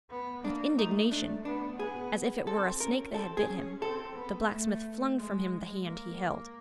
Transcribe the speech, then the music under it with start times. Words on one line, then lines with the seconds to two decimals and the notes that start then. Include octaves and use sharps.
With indignation, as if it were a snake that had bit him, the blacksmith flung from him the hand he held.
0.10 B3
0.44 A#3 D4
0.78 A3 D#4
1.12 A3 D4
1.45 B3 D4
1.79 B3 G#4
2.47 C4 A4
2.80 C#4 A#4
3.14 C4 A4
3.37 G#4
3.48 C#4
3.81 C4 A4
4.16 B3
4.49 A3
5.17 G#3
5.84 A#3